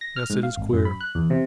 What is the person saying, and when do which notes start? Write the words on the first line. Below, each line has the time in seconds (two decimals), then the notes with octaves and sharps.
Yes, it is queer.
0.01 A#6
0.16 F6
0.30 G#2
0.43 F5
0.57 G#1
0.73 F#2
0.85 B5
1.01 F#6
1.15 E2
1.30 C3